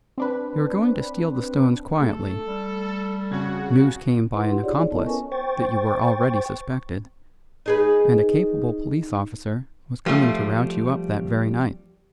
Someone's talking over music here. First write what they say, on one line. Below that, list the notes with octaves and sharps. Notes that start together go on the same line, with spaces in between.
You were going to steal the stones quietly; news came by an accomplice that you were already suspected, and a capable police officer was coming to rout you up that very night.
C4 D4 B4
A3 A4
G3
F2 C#3 F#4 G#6
E4 B4 F#5 C6
G4
D#4 F4 F#4 G#4 C#5 D5
C#5
B3 E4 A4 C#5 D#5 A5
C#4 A#4 B4 G#5 C#6
C5 G5 C#6 A6
D#4 G#4 B4
F3 G3 A3 F4